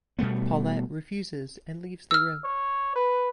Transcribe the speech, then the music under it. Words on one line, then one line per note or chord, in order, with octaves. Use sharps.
Paulette refuses and leaves the room.
B2 G3 A3 B3
E6 F6
C#5
B4